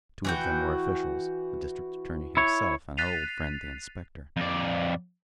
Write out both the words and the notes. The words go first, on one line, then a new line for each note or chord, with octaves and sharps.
Two of them were officials--the district attorney himself, and our old friend, the inspector.
E3 F#4 G5
E4 C#5
F#6 A6 B6 C7 D#7 F7
F2 D5